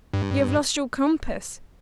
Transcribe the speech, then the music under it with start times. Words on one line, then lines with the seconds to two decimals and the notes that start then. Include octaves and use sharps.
You have lost your compass!
0.13 G2